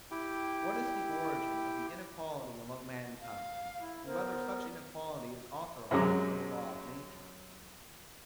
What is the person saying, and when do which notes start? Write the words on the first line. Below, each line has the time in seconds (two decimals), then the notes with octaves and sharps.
What is the Origin of the Inequality among Mankind; and whether such Inequality is authorized by the Law of Nature?
0.11 E4 G4 G5
3.21 F5
3.80 E4
4.06 B3 A#4 C5
5.91 F#2 C3 F#3 G#3 A#5 D6